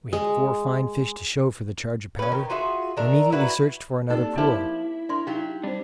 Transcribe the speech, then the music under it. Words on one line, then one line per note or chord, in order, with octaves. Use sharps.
We had four fine fish to show for the charge of powder, and immediately searched for another pool.
G#3
C#4 B4
D#3
F4 F#4 G#4 E5
D#3 D4 A#4 E5
E4 F#4 B4
A#3 C4 D4 D#4 G4 A4
F3 E4 G4 A#4 C5 E5 A5
D4 A#4 D5 C6
F#3 D#4 G4 F5 G5
G3 C4 D4 C5